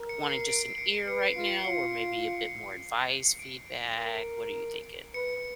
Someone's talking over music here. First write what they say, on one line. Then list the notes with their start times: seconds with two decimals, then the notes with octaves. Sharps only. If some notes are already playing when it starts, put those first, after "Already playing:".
wanting just an ear right now or maybe a bit more advice, feedback? What are you thinking?
Already playing: A#4
0.09 C#7
0.29 C7
0.49 D7
0.78 C#7
1.07 B4 C#7
1.27 C7
1.36 F4
1.46 C#7
1.65 F4 C#7
3.39 D7
3.98 A#4
5.14 B4 C#7